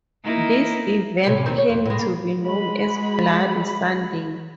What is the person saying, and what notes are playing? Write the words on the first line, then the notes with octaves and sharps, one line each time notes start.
This event came to be known as Bloody Sunday.
A#3 D#4 E4
A2 C3 C#4
D#2 D#3 C4
C#5
F2
A2 G#3
A#3
G#3 F#4 B5